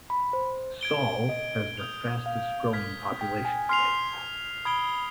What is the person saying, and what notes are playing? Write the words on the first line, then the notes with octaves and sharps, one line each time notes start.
Sal has the fastest growing population today.
B5
C5
G#6 D7 G7
D#5
D#6 G6 D7 F7
F5
F6 G#6 B6
G5
G#5
C6 F6 C7 F7
B5 D#6 G#6 D7 G7